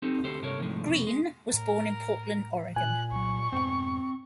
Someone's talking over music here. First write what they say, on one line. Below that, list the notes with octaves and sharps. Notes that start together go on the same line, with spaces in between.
Green was born in Portland, Oregon.
C4 D#4 G4 A4
D2 G4 A4 C5
G2 C3 A4 A#4 C#5
C2 G#2 D#3 F3 G#3 A3
C2 F2 B2
G#3
A2 A#4
A#2 G#5 F#6
C2 F#3 C#6
F2 G#2 B2 C4